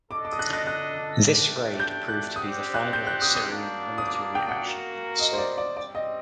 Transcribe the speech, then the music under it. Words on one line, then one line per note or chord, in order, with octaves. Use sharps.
This raid proved to be the final Syrian military action in the salient.
D4 A4 D#5 D6
D6
D#6
F#6
F#6
F#6
A3 D4 G4
G6
F#6
C4 G4 D5 F#5 D#6
F#6
G6
F#6
D#6
D#6
A#3 D4 F#4
D#6
D6
G5
F#5
A#3 F#4 A#4
D#5
C5
D5
D5
G3 C4 G4 D5
D#5